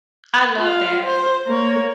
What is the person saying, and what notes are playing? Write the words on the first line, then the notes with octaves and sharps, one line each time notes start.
I love that.
F4 F5
C5
A#3 C#5